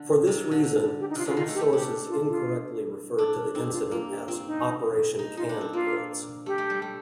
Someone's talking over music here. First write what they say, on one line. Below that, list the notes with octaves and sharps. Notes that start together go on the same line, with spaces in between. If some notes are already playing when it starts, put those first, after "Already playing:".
For this reason, some sources incorrectly refer to the incident as "Operation Canned Goods".
Already playing: D3
C3
D3
D3
G4
D#4
C3 F4
D3 F4
D#3 F4
A3
G4
A3
D4 G4
F4
F4
D4 A4
A#4
C4 D#4
G4
F4
A#3 F4
G4
C4 F4
D#4
D#4
D#4 F4
D4
C4
A#3 F4
A3 G4
A3
G3
A3